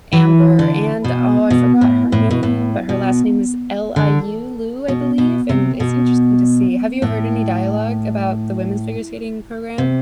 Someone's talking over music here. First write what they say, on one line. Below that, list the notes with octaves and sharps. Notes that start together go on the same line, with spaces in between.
Amber and oh, I forgot her name, but her last name is L-I-U, Liu, I believe, and it's interesting to see. Have you heard any dialogue about the women's figure skating program?
E3
D3
B2
B2
A2
A2
B2
A2
B2
D3
B2
B2
C3
B2
A2
C3